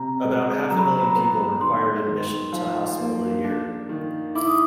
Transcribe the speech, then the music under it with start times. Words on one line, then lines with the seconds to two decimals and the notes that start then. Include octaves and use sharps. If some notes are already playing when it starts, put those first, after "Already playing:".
About half a million people require admission to hospital a year.
Already playing: C3 A#5
0.25 G#3
0.70 F#3 A#5
0.79 B5
0.86 A#5
0.95 B5
1.04 A#5
1.11 B5
1.16 B3 A#5
1.61 D#3 C6
2.08 D#3
2.53 F3
2.98 A#3
3.44 D4
3.89 D#3
4.35 E4 D6
4.47 D#6